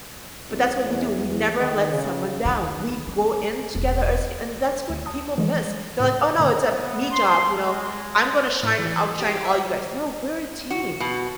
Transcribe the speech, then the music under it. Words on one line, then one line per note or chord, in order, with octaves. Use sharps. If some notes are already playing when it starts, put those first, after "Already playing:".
But that's what we do, we never let someone down, we go in together as and that's what people miss, they're like, "Oh, no, it's a 'me' job," you know? "I'm gonna shine outshine all you guys." No, we're a team.
C2
E2
E2
D#3
C#3
D#3
C#4
E1
D2
A5 D#6
E3 G3 G#3
A2 C#3
G#2 B2 D3 A#3
B3
C6
G#3
A2
E3
G4
E5
F#4
B2